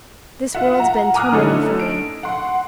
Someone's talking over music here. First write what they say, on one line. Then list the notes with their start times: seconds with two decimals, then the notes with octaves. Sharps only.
This world's been too many for me.
0.55 F4 E5 F#5
0.78 F#5 A#5
1.14 G#5 A#5 D6 D#6 F6 F#6
1.32 D3 A3 C#4 D#4 E4 A4
1.80 D7
2.23 F#5 C6